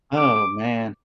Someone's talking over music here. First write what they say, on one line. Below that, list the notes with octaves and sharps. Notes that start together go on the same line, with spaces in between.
Oh, man.
D6